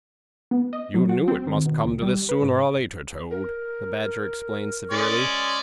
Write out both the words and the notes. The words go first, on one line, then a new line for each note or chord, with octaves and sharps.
'You knew it must come to this, sooner or later, Toad,' the Badger explained severely.
B3
D#5
F#3
F#4
C4
D#3
B2
C#2
G3
B4
G#2
A#4
G#3 C#4 D5